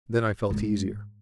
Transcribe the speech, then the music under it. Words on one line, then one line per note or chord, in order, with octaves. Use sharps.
Then I felt easier.
G#2